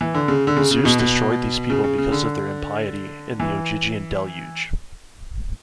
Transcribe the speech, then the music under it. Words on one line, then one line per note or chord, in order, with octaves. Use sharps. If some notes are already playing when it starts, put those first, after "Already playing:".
Zeus destroyed these people because of their impiety, in the Ogygian Deluge.
E3
D3
C#3
D3
C#3
C#3
B2
B2
C#3
C#3
C#3
D3
E3